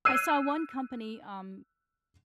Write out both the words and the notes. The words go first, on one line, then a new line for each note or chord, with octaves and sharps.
I saw one company, um,
E6 F#6 G#6 C7 D#7